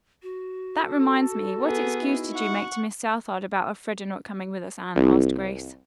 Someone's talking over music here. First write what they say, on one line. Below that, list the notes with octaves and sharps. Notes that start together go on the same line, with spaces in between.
"That reminds me, what excuse did you make to Miss Southard about Elfreda not coming with us, Anne?" asked Grace.
F#4
A4
B3 G#4
D#4 E4
F#5 C#6
C2